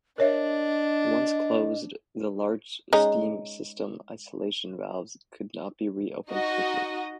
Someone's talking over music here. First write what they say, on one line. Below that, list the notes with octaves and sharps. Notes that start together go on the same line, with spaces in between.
Once closed, the large steam system isolation valves could not be reopened quickly.
D4 A#4 C#5 D#5 E5
G#3 C#4 D#4
D#4 F#4 D#5